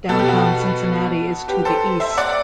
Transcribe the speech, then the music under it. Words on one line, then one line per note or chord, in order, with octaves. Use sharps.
Downtown Cincinnati is to the east.
B2 A4
G4
F#4 A4
G4 B4
A4 C5
C5 E5
D5 F#5